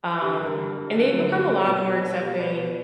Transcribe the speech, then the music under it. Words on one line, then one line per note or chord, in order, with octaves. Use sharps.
um, and they've become a lot more accepting
D3 G4
G2
A#4
G2
G2
D3
F#3
G2
G2
B2
G3
B2
G3
B2 B4 D5
B2